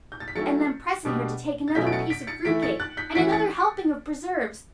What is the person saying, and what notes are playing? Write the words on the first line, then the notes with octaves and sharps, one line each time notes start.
And then pressing her to take another piece of fruit cake and another helping of preserves.
G6
A6
B6
F#3 A3 C#4 E4 A6 C#7
B2 G3 D4
A6
B2 F#3 A3 C#4 E4 G6 B6
D7
A6 C#7
B6 D7
A6 C#7
E3 A3 E4 B6 D7
A6 C#7
F#6 A6
G6 B6
E3 A3 C#4 E4 B6 D7
A6 C#7